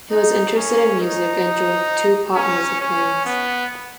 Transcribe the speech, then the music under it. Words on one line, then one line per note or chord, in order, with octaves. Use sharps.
He was interested in music and joined two pop music bands.
D#4
C#4
D#4
C#4
C#4
B3